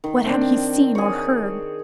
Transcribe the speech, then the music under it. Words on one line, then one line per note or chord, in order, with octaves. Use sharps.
What had he seen or heard?
D#3
C4 D4
G#4 C#5